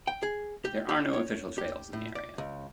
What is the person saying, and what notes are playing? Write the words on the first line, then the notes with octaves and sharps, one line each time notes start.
There are no official trails in the area.
G5
G#4
G4
G4
C#5
G4
A2
D5
C#2